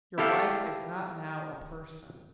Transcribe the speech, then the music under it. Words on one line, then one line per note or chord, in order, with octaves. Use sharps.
Your wife is not now a person.
E4 G4 A4 F5